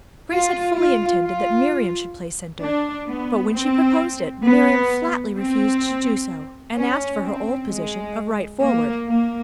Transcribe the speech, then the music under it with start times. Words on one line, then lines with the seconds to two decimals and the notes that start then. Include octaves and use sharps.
Grace had fully intended that Miriam should play center, but when she proposed it, Miriam flatly refused to do so, and asked for her old position of right forward.
0.30 F4
0.76 F4
1.23 F4
2.61 D4
3.08 B3
3.54 C4
4.46 B3
5.39 C4
6.76 C#4
7.23 C4
7.69 G#3
8.61 A#3
9.08 A#3